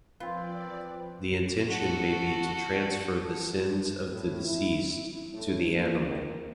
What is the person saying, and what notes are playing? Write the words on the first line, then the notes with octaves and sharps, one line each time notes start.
The intention may be to transfer the sins of the deceased to the animal.
F3 C4 F4 B4 D5
F#4 A4
A2
E4
E4
A2
A#3